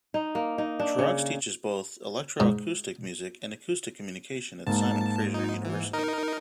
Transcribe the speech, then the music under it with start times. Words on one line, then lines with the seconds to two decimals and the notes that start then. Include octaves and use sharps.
Truax teaches both electroacoustic music and acoustic communication at Simon Fraser University.
0.14 D#4
0.35 A#3
0.58 D#4
0.80 D4
0.99 C#3
2.40 G#2
4.67 G#2 A#3 A5
5.34 D#4
5.64 E3
5.93 D#4 A#4